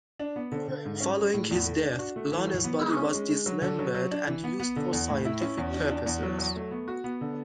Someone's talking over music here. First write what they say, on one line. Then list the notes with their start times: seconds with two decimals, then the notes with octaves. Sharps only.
Following his death, Lanne's body was dismembered and used for scientific purposes.
0.19 D4
0.36 B3
0.52 D3
0.68 D3
0.85 G#2
1.01 C#4
1.17 G#3
1.34 A2
1.51 E2
1.66 A3
1.83 D4
1.99 F#4
2.16 A3
2.32 E3
2.47 F#3
2.64 B3
2.80 G#3
2.97 C#4
3.14 G#3
3.29 G#3
3.46 F#3
3.62 D3
3.79 F#3
3.95 F#3
4.11 D4
4.27 E3
4.44 B3
4.60 B3
4.76 D3
4.93 E2
5.09 A2
5.25 E4
5.41 C#4
5.58 E2
5.73 D4
5.91 D4
6.06 E2
6.23 F#3
6.39 F#3
6.56 A3
6.71 B3
6.88 F#4
7.04 B3
7.21 D3